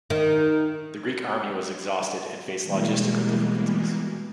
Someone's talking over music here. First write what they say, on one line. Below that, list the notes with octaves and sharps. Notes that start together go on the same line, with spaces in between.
The Greek army was exhausted and faced logistical difficulties.
D#3
B2 E3 G3 G#3 A#3